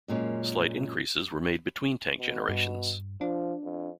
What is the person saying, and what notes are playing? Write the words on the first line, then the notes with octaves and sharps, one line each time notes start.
Slight increases were made between tank generations.
F#2 A#2 G#3 C#4
B2
G2
F3 D4
F2